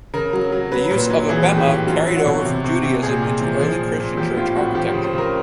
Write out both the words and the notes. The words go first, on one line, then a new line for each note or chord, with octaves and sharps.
The use of a bema carried over from Judaism into early Christian church architecture.
C#3 A#4
F#3
F#3
F#3 B4
A#2 B4
F#3 B4
E3 G#4
A2
G4
E3
F#3 F4
F#3
F#4
B2
C3
C3
C3
A#2 G#4
A#2
F3
F3 G#4
A#2
A#2
F3 G4
A2 F4
A2 F#4
F3 G4
C#3 C5
C5
C#3 A#4